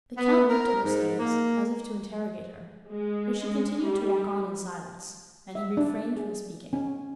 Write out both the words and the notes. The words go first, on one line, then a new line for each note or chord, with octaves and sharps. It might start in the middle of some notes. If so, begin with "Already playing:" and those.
The count looked at Mercedes as if to interrogate her, but she continued to walk on in silence, and he refrained from speaking.
B3
A#4
G#2
A#3
G#3
G3
E5
D4
G#4
C#4